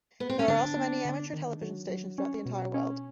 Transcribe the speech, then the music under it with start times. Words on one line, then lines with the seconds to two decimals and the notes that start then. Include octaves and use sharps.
There are also many amateur television stations throughout the entire world.
0.20 B3
0.29 C4
0.39 C#4
0.48 D3 D4
0.76 B3
1.05 D3
1.33 D#3
1.62 F#3
1.90 F#3
2.18 C#4
2.46 B2
2.74 C#4